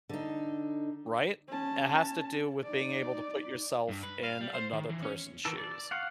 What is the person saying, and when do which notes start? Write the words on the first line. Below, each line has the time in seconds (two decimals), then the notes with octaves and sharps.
Right? It has to do with being able to put yourself in another person's shoes.
0.09 D3 D#4
1.48 C#4 A5
2.64 D#4 D5
3.89 G2
4.03 B4
4.24 F5
4.41 G3
4.54 C5
4.73 D#3
4.89 E3
5.03 C#4
5.45 D#3 E3 A4
5.57 D5
5.91 F5 F#5 C#6